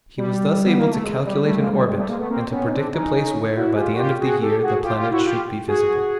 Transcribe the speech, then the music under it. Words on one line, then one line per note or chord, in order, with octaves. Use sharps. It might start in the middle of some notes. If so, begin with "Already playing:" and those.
He was thus able to calculate an orbit, and to predict a place where, by the end of the year, the planet should be visible.
G3
B3
A#3
A3
G#3
G3
G3 A3
G#3 A#3
G3 A3
G#3
G3 A3
G#3 A#3
A3 B3
A#3 C4
B3 C#4
D#4
C4 D4
C#4 D#4
E4 F#4
G#4
F4 G4
F#4
F4 G4
F#4 G#4
G4 A4
F#4 G#4
F4 G4
F4 G4
E4 F#4
F4 G4
F#4 G#4